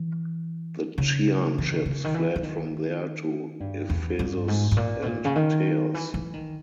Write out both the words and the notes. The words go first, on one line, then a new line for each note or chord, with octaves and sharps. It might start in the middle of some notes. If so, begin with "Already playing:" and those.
The Chian ships fled from there to Ephesus and Teos.
Already playing: E3
C#3
E3
D#3
C#3
D#3
E3
E3
D#3
G2
E2
G2
G#2
G#2
A#2
B2
A#2
C#3
D#3
E3
E3
D#3